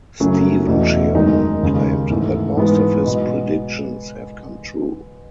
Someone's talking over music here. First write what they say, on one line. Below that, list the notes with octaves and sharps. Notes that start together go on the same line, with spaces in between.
Steven Cheung claimed that most of his "predictions" have come true.
F#2 C#3 F#3 A3 C#4
E2 B2 A3 E4
F#2 D#3 G#3 D#4
D#2 C#3 G#3
G#2 E3 A3
G#2 E3 G#3 B3
B2 G#3 B3